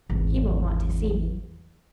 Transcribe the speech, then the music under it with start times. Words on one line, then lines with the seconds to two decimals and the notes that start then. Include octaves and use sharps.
He won't want to see me.
0.10 G#1 E2